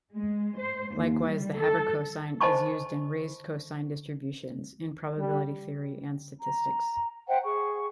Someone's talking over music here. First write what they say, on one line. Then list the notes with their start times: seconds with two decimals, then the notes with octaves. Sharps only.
Likewise, the havercosine is used in raised-cosine distributions in probability theory and statistics.
0.13 G#3
0.58 C5
0.95 D#2
1.29 G3
1.59 A4
2.41 C5 D#5 G#5 A5 B5 C#6
5.17 G3
6.39 A#5
7.28 C5 E5 F#5 G5
7.43 G#4 C#6